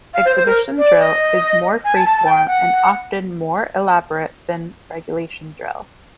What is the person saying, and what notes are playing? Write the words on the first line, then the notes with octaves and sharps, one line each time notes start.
Exhibition Drill is more free form and often more elaborate then Regulation Drill.
F5
C5
C5
A#4
D5
D#5
G#5
A5
A5
A5
G5
F#5